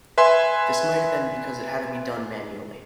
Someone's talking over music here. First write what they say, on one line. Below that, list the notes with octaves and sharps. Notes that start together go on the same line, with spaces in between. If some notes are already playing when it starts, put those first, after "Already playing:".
This might have been because it had to be done manually.
B4 E5 G#5 C6